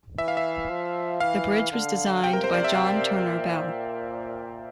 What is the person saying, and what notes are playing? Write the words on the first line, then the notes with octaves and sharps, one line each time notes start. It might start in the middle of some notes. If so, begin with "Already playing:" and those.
The bridge was designed by John Turner Bell.
E3 E5
F5
E5
F3
E3 F5
D3
C3 G5
A#4
C5
D5
E5
F5
A#2